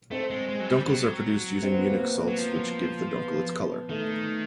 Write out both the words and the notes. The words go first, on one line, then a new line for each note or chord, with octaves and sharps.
Dunkels are produced using Munich malts which give the Dunkel its colour.
A3 C4
G#3
G#3
F#3
G3
F#3
C4
B3
A#3
B3
F#3
F3
B3
D#3 A3